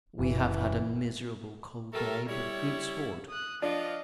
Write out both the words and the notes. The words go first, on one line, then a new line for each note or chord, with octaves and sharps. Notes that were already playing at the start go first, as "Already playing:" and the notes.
We have had a miserable cold day, but good sport.
F#1 E3
G3 A3 A4 A#4
G3 E4 C#5
D#6 F#6
F3 D4 F4 D#5